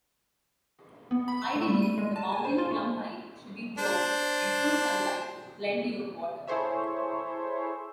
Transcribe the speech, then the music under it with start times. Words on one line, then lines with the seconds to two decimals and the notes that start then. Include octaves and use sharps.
Ideally the mountain plum-pine should be grown in full sunlight with plenty of water.
1.11 B3
1.28 B5
1.42 E6
1.56 A3
1.67 G3
1.82 D#7
1.98 G#3
2.16 A5
2.32 G#5
2.45 C5
2.58 F4
2.71 A3
3.78 D4 C5
6.48 E4 G#4 A4 C5 C#5 E5